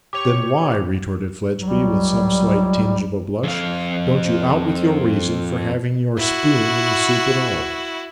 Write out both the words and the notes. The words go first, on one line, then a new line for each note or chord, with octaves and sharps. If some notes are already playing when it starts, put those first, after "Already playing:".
'Then why,' retorted Fledgeby, with some slight tinge of a blush, 'don't you out with your reason for having your spoon in the soup at all?'
G4 C#5 C#6 D6 F7
C#2 F#3 G3
F2 F5
E4 F#4